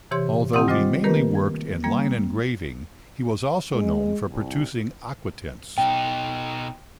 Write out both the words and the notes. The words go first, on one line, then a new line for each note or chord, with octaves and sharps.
Although he mainly worked in line engraving, he was also known for producing aquatints.
C3 E3 G4 C#5 C6 G#6
D#3 C4 G4 F#5 D#6 E6
G3 F4 C5 D#5 D6 A6
D#3 A3 A#3 G4 A#4 B4
G#6
G3 A#3 G#6
G#3
C2
B2 D#4 G5